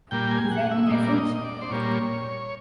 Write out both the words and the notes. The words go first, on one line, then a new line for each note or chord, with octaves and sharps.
Is there any message?
A#2 G3 A#3 G5
G#5
F#5
E5
D#5
A#2 G3 A#3 D5
D#5
D#5
D5
C5
A#2 G3 A#3 C#5